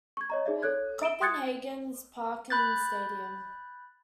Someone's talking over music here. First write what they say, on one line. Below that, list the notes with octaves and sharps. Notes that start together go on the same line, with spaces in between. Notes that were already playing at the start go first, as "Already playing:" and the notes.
Copenhagen's Parken Stadium.
C#6 G#6
C#5 D#5 A#5
D#4 G#4 D5 E5
A4 C#5 F#6 G#6
E5 D7 E7 G7
C6 D#6 F#6 G#6 A6 C#7
B5 F#6 G6 A6